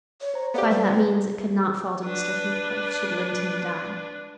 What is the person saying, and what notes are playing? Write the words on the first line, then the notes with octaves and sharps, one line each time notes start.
By that means, it could not fall to Mr. Heathcliff should Linton die.
C#5
C5 A#5
B3 G4 A4 D5 F5
G3 B4
G#3
D4 B4